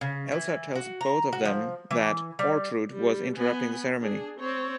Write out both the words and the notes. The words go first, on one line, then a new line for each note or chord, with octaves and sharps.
Elsa tells both of them that Ortrud was interrupting the ceremony.
C#3
E3
F#4
A#5
F#4
F3
E3
G3
G3
B3 G#5
D4 G#4
C4 C#5